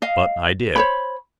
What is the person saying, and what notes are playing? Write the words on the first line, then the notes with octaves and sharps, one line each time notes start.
But I did.
D#5 F5
C5 C#5 B5